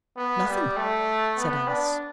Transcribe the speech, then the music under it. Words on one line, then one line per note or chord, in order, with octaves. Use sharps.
'Nothing,' said Alice.
B3
G3
A3
B3
D4